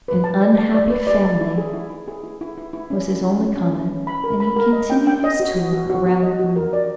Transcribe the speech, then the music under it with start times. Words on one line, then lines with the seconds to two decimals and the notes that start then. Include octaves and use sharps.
"An unhappy family!" was his only comment, and he continued his tour around the room.
0.08 B4
0.24 A5
0.42 D5
0.58 A5
0.74 D5
0.90 B4
1.07 D5
1.25 A5
1.41 E4
1.58 G#4
1.73 E4
1.90 E4
2.08 G#4
2.24 E4
2.41 E4
2.58 E4
2.73 E4
2.90 C#4
3.08 E4
3.24 E4
3.40 C#4
3.57 C#4
3.73 E4
3.90 C#4
4.07 B5
4.24 A#4
4.40 B5
4.56 A#4
4.73 D#5
4.90 G5
5.07 G5
5.24 D#5
5.40 F#4
5.57 F#4
5.73 F#4
5.90 F#4
6.06 F#4
6.23 D#5
6.39 F#4
6.56 A#4
6.73 D5